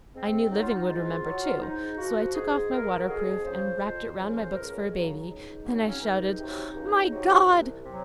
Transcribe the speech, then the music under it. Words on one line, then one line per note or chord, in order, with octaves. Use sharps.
I knew Living would remember, too, so I took off my waterproof and wrapped it round my books for a baby; then I shouted, 'MY GOD!
G#2 C4
F#3 D#4
F4
D#4
G#2 F4
F#3
G#2 D#4
F3 F#4
G#2 G#4
F3 A#4
F#4
F2 G#4
C#3 F3 C5
F2 C5
C#3 F3 C5
A#4
C5
C#2 A#4
A#4
G#4
C#3 F#3
C#2 D#4
C#3 F#3 A#3
C4
C#4
C#2 D#4
C3 F#3
C#2
C3 F#3
C2
C3 F#3